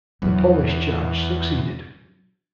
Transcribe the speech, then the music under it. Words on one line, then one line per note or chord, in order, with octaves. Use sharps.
The Polish charge succeeded.
E2 F#3 D4